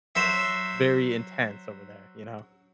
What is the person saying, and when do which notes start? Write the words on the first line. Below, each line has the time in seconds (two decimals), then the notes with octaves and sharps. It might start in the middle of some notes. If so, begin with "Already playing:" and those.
very intense over there, you know?
0.15 F#3 C5 E5